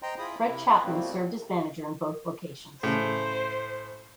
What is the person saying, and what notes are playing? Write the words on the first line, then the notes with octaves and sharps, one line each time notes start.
Fred Chapman served as manager in both locations.
C5 D#5 G5 A#5 C6
E4 F4 G#4 B5 D#6
C3 E4
G#4 B4
B2 F3 G3 A3 A#3 C4
A2 C#3 C5